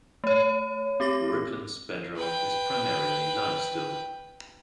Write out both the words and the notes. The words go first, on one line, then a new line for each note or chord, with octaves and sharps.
Ripon's bedrock is primarily limestone.
A3 C#5
C4 G4 D6 A#6
B4 G5